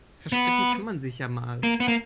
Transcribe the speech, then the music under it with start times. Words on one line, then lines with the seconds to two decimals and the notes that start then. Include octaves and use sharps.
Versprechen kann man sich ja mal.
0.32 B3
1.63 A#3
1.80 B3
1.88 A#3